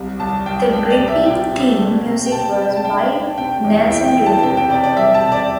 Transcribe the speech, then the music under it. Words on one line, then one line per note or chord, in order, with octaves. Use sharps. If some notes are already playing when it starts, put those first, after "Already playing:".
The gripping theme music was by Nelson Riddle.
Already playing: C2 C3
C2 A5
C2 G5
C2 G5
D5
C3
E5
C3 G5
C3
A3
C3
G5
C3 A5
C3
A5
D4 G5
D4
C3 G5
E2
E4 G5
G5
E4
A5
C3 G5
G5
C3 D5
D5
G3 E5
A5
C3
D5